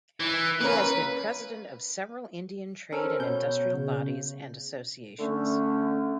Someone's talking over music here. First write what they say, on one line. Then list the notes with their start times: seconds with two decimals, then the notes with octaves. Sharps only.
He has been president of several Indian Trade and Industrial Bodies and associations.
0.20 E3
0.61 A#3 C#4 A#4 B4
2.92 C#4 A4 A#4 C5
3.19 B2 C#5 G6
3.71 C#3
5.19 D3 A3 C#4